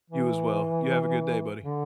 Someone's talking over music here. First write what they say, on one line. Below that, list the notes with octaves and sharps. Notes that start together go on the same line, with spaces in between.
You as well. You have a good day, buddy.
E3
D3